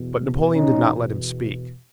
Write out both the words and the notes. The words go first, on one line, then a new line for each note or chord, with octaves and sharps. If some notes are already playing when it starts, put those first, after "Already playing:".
But Napoleon did not let him speak.
Already playing: E2 B2
C#4 D#4